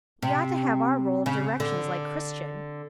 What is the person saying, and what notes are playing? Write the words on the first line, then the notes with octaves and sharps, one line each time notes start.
We ought to have our roll of directions, like Christian.
C3
C#3
D3